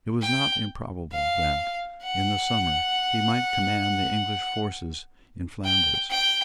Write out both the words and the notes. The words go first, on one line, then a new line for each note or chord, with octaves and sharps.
It was not improbable that, in the summer, he might command the English forces in Flanders.
G5
F5
F#5
G5
G5